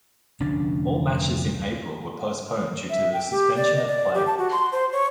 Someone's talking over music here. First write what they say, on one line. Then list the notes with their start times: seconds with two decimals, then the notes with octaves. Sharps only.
All matches in April were postponed due to the suspension of play.
0.40 F1 D2 C#4 D4
2.90 E5
3.13 G5
3.32 G4
3.56 D5
3.76 D#5
3.87 D5
4.14 G4
4.27 A5
4.38 F#4
4.52 C6
4.72 C5
4.92 C#5